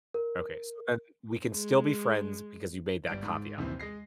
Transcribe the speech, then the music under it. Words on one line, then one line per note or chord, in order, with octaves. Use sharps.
Okay, so then, we can still be friends because you made that caveat.
A#4
G#3
G1 G3 D7
G#2
A#1 D#2 C3 E3 C4
G#3 D#5 A#6 C7